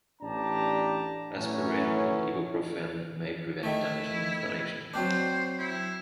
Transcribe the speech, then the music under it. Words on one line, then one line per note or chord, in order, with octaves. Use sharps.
Aspirin and ibuprofen may prevent damaging inflammation.
A1 D4 G4 A5 A#5
A2 E3 F#3 C#4
D#3 A3 E4
F#3 C4 D4 C5
E4